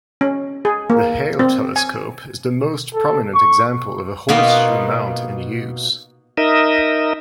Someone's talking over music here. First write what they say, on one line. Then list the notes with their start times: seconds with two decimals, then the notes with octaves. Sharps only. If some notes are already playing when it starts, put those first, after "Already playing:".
The Hale telescope is the most prominent example of a Horseshoe mount in use.
0.21 C#4
0.65 G#4
0.90 A#3
1.39 C4
1.76 G#5
2.94 A4
3.35 C#6
4.29 B2 A#3 B3 D#4 F4
6.38 D#4 A#4 D#5 E5